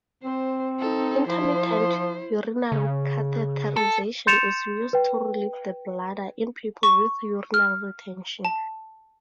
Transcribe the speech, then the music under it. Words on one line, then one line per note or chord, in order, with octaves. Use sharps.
Intermittent urinary catheterization is used to relieve the bladder in people with urinary retention.
C4 C5
D#4 A4
F3 E4 C5
C#3
A4
C6 G6 A6 C#7 E7 F7
B4 G5
C#6
F6
A5